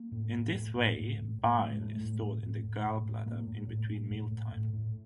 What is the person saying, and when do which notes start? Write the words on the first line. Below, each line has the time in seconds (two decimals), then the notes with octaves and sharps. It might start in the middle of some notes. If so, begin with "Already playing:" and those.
In this way, bile is stored in the gallbladder in between meal times.
Already playing: A#3
0.12 A2
0.33 A2
0.54 A2
0.75 A2
0.96 A2
1.18 A2
1.38 A2
1.59 A2 A3
1.71 G#3
1.80 A2 A3
2.00 A2
2.22 A2
2.43 A2
2.64 A2
2.85 A2
3.06 A2
3.26 A2 A#3
3.47 A2
3.68 A2
3.89 A2
4.11 A2
4.31 A2
4.52 A2
4.73 A2